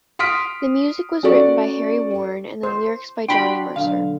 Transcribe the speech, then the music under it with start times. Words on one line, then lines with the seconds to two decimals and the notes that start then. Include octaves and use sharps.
The music was written by Harry Warren, and the lyrics by Johnny Mercer.
0.19 C6 D#6 F6 B6 D7
1.23 C#4 F#4 A4 D5 C#6
2.63 C5
3.29 D4 F#4 G5 B5 C6
3.76 B1 D3 F5